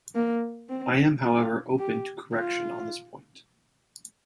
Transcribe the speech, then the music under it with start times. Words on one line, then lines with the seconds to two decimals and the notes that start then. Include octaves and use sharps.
I am however open to correction on this point.
0.15 A#3
0.69 C4
1.25 F4
1.79 G4
2.34 F4